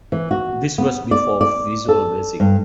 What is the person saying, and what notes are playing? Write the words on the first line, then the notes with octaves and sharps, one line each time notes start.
This was before Visual Basic.
E3
F#4
B3
D5
D5
A4
G2